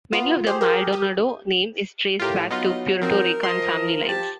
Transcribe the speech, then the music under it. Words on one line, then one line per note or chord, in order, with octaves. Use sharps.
Many of the Maldonado name is traced back to Puerto Rican family lines.
B3 F4
G4 G#4 C5
A#4
G4 D#6
A2 F4 G4 A#4
F#3 B3 D#4 F4 D#5
F3 C4 D#4 A#4
F3 D#5 C6
G4 A5